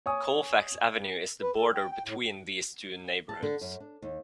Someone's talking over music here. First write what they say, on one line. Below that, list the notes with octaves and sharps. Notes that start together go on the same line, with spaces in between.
Colfax Avenue is the border between these two neighborhoods.
C#5 G#5 D#6
B4
A4
G5
G5
A2
A5
D3
F#2
D4
D#2